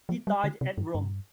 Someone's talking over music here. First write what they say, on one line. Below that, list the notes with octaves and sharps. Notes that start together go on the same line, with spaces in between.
He died at Rome.
F3
G3
D3
C3
G2
G2